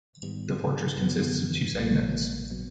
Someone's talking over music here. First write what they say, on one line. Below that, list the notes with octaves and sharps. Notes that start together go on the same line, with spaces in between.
The fortress consists of two segments.
G#2 D#3 G3 B3
F#2 D3 F#3 B3
A1 A2 F#3 A#3
A#2 F#3 B3